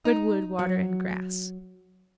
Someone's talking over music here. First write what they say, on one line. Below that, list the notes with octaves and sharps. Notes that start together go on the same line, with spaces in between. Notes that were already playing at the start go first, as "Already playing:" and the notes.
Good wood, water, and grass.
D#4
F#3